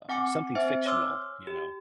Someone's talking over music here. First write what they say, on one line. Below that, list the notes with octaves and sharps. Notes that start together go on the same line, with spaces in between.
uh, something fictional, you know.
C4 F#5 G#5 D6 C#7
C4 C5 E5 G#5
C#5 G#5 C6 D6 E6 F6
G4